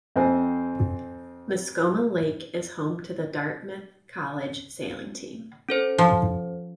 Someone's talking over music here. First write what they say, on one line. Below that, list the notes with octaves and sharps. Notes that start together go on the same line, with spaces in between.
Mascoma Lake is home to the Dartmouth College sailing team.
F2 C4 C5 G#5
C#4 A4 C5
F3